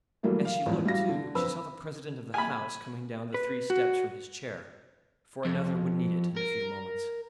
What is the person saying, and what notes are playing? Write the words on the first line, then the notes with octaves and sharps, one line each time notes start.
As she looked, too, she saw the President of the House coming down the three steps from his chair, for Another would need it in a few moments.
E3 F#3 G3 A3 A#3
F5
A1 E2 F3 G#3
E3 G3 F#4 F5 A#6
D3
F2 B4 C5 B5 E6
G#5 B5
B4
F#4
F2
A#4